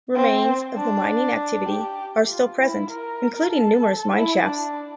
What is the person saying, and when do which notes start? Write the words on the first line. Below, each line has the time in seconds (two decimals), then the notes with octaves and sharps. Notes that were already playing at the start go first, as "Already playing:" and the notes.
Remains of the mining activity are still present including numerous mineshafts.
0.16 C4
0.77 D4
1.69 G4
2.30 F4
2.60 E4
2.91 A#4
3.52 A4
4.13 E4
4.44 D4